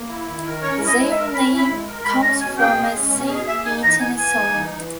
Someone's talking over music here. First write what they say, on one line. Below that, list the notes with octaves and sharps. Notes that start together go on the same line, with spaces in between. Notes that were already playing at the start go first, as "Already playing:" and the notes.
Their name comes from a Saint Etienne song.
Already playing: A#3
E4
D#3
A#4
C#4 C#5
E4
D#5
G#3
E5
A#4
C#4 B5
E4
B5
G#3
A#4
G#3 B5
C#4 A#5
B2 G#5
G#4 G5
G#3
C#4
B2
G#4
A#3 E5
D#4 G#5
E3 A#5
E3 G#5
A#3 G#5
D#4
E3
E3